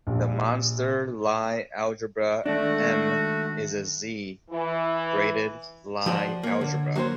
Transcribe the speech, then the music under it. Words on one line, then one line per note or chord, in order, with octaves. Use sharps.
The monster Lie algebra "m" is a "Z"-graded Lie algebra.
A#1 G4
D#3 G#3 A3 D4 F#4
E3
F3 F#4 D5
A#3 C#5
D3
F#3 A#3 F#4 C5 C#5